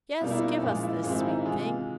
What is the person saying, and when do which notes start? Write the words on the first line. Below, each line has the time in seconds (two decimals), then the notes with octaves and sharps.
Yes, give us this; sweet thing!
0.20 B2 G3 A#3 F4
0.31 E4
0.41 D#4
0.52 E4
0.62 A#2 F3 G#3 C#4 F4
0.83 E4
1.03 G#2 D#3 G#3 C4 F4
1.12 E4
1.20 D#4
1.27 E4
1.45 C3 E3 G#3 F4